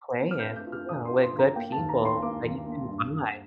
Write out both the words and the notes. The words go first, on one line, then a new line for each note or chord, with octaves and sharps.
Playing, yeah, with good people that you can vibe.
C4
F6
G6
A3
G6
F4
F6
D3 D#6
C6
F4
C6
D3
A#5
A#3 G5
A5
D#2
A#5
A#3
C6
A#3 D6
D#2
A#3
G2
G2